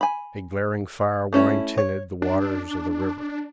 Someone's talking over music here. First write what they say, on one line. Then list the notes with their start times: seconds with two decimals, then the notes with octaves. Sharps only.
A glaring fire wine-tinted the waters of the river.
0.01 G#5 B5
1.33 A3 C#4 E4 C#5
1.78 C#5
2.22 D4